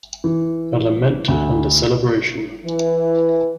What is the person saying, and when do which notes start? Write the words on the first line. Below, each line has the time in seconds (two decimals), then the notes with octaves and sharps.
A lament and a celebration.
0.24 E3
1.28 D2
2.65 E3